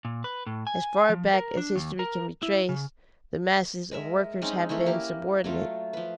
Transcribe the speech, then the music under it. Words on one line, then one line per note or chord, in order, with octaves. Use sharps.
As far back as history can be traced, the masses of workers have been subordinate.
A#2
B4
A2
G#5
F3
A#4
D4
D#2
A#4
E4
C#3
G#3 A#4 E5
G#3 C4 C#4 D#4
E3 A3 C#4 E4
A#3 G4 A#4
F#3 A3 F4
F3 B4